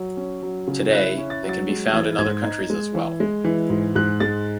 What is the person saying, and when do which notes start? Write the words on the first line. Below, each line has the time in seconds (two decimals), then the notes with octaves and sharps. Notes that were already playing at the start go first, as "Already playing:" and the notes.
Today, they can be found in other countries as well.
Already playing: F#3
0.17 C#4
0.43 F#3
0.68 C#3
0.92 E4 F#6
1.18 C#4
1.30 A6
1.43 F#3
1.49 A6
1.69 G#3
1.93 E3 G#6
2.19 G#2 G#6
2.44 D#4
2.70 G#3
2.95 E3
3.20 G#3
3.44 E3
3.70 G#2
3.96 G#2 F#6
4.20 G#3 A6